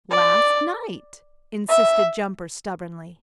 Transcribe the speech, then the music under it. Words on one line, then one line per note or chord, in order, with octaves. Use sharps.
"Last night," insisted Jumper stubbornly.
D5
E5